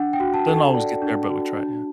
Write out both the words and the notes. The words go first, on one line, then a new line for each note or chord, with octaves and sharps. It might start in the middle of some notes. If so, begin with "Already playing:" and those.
Doesn't always get there, but we try, yeah.
Already playing: D4 F#5
G5
F#4
A5
A4
A5
D5
D4
F#4
D4